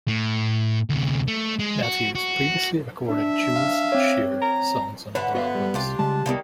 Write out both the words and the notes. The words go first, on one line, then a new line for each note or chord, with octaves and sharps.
Matthews previously recorded Jules Shear songs on other albums.
A2
D2 C3
A3
G#3
F#4
F#4
D4 E5
F5
C4 C#5
A#5
D3 B4 C#5 E5 F#5
B3 F#4 D#5 F5
G3
C2 D4 F4 G4
C#3 G3 G#3 A5
C2 D#3 G3 A#3 B3